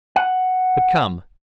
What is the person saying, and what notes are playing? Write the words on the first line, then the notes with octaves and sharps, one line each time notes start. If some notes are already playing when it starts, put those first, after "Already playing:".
But come!
F#5